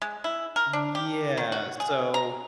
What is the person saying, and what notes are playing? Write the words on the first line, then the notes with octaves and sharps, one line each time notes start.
Yeah, so
G#3
E4
A#4
D4
G4
D#3
F#4
G#4
A#5